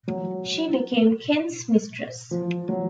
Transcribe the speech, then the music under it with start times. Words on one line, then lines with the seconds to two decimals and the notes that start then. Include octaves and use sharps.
She became Kent's mistress.
0.08 F#3
2.31 F3
2.69 F#3